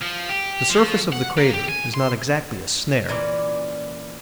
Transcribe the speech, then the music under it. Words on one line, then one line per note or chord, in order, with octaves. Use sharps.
The surface of the crater is not exactly a snare.
F3
G4
F3
F#5
A#3
G4
G#5
C6
A#2 E3 C#4 D5